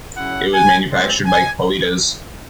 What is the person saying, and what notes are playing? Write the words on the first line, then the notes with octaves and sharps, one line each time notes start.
It was manufactured by Qualitas.
C#3 F#3 C#4 E4 F#5
G#5
C#2 C#3 G#3 C4
G#5